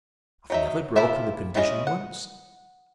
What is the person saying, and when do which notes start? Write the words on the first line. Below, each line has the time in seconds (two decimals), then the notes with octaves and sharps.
I have never broken the condition once.
0.50 F#3 D#4 E5
0.96 E4 F4 G4 E5 F5
1.55 E3 G#3 C#4 E4 D#5
1.87 F#5